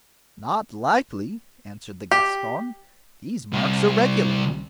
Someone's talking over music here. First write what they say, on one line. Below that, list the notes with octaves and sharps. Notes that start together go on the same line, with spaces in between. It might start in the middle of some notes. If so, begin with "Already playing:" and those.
"Not likely," answered the Gascon; "these marks are regular."
G4
C2